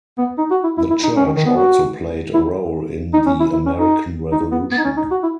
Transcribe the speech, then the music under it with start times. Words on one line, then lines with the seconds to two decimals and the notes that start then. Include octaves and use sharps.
The church also played a role in the American Revolution.
0.18 B3
0.38 D#4
0.51 F#4
0.64 E4
0.78 E4
0.90 E4
1.04 D#4
1.17 C#4
1.26 D#3
1.37 D#3
1.46 B3
1.56 F#4
2.34 E4
3.14 D#4
3.27 C#4
3.40 E4
3.53 E4
3.66 C#4
3.79 D#4
4.32 D#4
4.51 B3
4.72 B3
4.78 D#4
4.84 C#4
4.97 D#4
5.11 F#4
5.23 E4